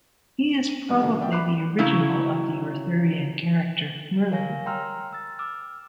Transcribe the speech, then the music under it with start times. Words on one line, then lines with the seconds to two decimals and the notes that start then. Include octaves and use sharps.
He is probably the original of the Arthurian character, Merlin.
0.69 D#7
0.89 D#3 G3 B3
1.02 B2 D3 E3 A3 A#3
1.20 D5 E5 G5
1.32 B5 D6 F#6 C7
1.79 C#3 F#3 C#4 E4
4.31 A#4 C#5 F5 G#5 A#6
4.66 G5 A#5 C6 E6 F6
5.13 E6 A6
5.39 D6 E6 F6